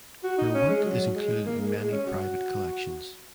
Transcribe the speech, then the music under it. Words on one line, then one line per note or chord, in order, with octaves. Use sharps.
Her work is included in many private collections.
F#4
D#4
C#4
G#3
F#3
G#3
A#3
G#3
G#3
C#4
F#4